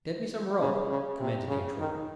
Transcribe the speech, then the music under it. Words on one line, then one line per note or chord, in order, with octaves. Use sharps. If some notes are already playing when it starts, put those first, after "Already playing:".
"Get me some rope," commanded the intruder.
C#3
C#3
C3
C#3
D#3